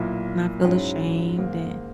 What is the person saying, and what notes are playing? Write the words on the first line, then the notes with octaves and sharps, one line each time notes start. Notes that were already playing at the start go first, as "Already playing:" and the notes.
not feel ashamed and
Already playing: B1 A#2 A#3 E4
G#2 F#3 C#4 E4
G#2 D#3 A#3